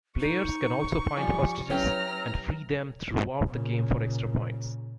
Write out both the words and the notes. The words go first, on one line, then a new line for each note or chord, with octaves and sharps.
Players can also find hostages and free them throughout the game for extra points.
D#4 C#6
F3 G3 G#5
F#3 C#4 E4 G4 B4 A#5 F6
A#2 C#3